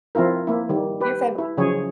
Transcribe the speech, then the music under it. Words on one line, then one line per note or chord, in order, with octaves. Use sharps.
your family.
F3 C4 E4 F4 A#4
A#3 E4
D#3 G3
G4 B4
E4
C#3 F3 F#3 G#4 C#5